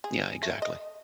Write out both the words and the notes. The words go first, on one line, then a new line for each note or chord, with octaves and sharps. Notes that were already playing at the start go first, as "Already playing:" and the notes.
Yeah, exactly,
G#4
A3
D#5